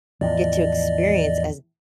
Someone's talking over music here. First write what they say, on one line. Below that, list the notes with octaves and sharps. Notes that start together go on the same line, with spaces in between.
get to experience as
E2 A2 F3 D5 D#5